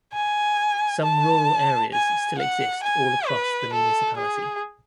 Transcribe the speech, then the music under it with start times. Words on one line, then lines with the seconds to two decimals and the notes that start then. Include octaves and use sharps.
Some rural areas still exist all across the municipality.
0.14 G#5
1.03 A5
1.94 G#5
2.39 F#5
2.84 G#5
3.27 B4
3.73 A4
4.18 G#4